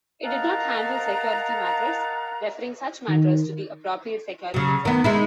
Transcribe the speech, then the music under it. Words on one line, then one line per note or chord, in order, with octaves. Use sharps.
It did not handle security matters, referring such matters to the appropriate security service.
A#4 D#5 F5 F#5 A5 A#5
D#3
C#3 F#3
D#3 B3
G#3 D#4 E4